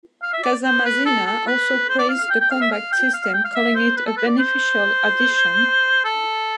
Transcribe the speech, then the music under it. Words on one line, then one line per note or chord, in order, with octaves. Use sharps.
Casamassina also praised the combat system, calling it "a beneficial addition".
F5
E5
D5
C5
B4
A4
A4
B4
C5
D5
F5
F5
G5
G5
F5
E5
F5
G5
F5
F5
G5
F5
E5
C5
B4
A4
B4
D5
C5
A4